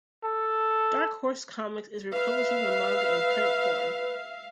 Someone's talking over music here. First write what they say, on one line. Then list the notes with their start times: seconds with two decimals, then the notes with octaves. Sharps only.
Dark Horse Comics is republishing the manga in print form.
0.24 A4
2.12 B4 E5 F5